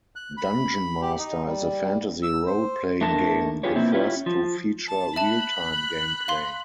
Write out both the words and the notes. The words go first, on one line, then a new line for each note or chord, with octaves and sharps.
"Dungeon Master" is a fantasy role-playing game, the first to feature real-time gameplay.
F#6
B5
G4
D#4
G3
E6
C5
A3 D4 A#4 A5
D4 F4 G4 G#4 B4 C#5
B2 F3 A#3 C4 E4
C#4 E4 F4 G4
F3
A5
E5 A5 B5 F#6
F5 C6